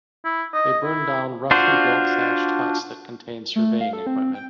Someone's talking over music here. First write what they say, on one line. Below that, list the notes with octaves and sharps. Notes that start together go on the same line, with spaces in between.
They burned down roughly-built thatched huts that contained surveying equipment.
E4
D#5
E4
D4 F4 F#4 C5
A3
F5
A4
C4
G5